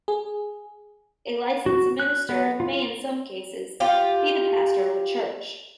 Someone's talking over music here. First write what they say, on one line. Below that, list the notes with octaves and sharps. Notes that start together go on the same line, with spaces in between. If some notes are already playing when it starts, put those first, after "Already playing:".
A licensed minister may, in some cases, be the pastor of a church.
G#4
F#4
F#6
B3
F4
F4 G4